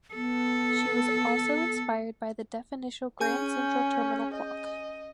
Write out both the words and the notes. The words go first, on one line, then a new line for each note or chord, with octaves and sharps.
She was also inspired by the definitional Grand Central Terminal clock.
B3 A4
C#4 G#4 G#5 G6
D#5